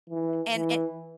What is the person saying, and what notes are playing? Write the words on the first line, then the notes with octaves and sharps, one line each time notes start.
And and
E3
E3